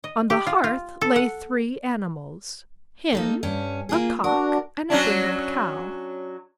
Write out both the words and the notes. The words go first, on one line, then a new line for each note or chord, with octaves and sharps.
On the hearth lay three animals--a hen, a cock, and a brindled cow.
D#5
G4
F4
F4
A4
F#5
A#3 D#4 A4
G2 C#4
A#3 F4 G#4
D4 F#4 A#4
F#3 C#4 D4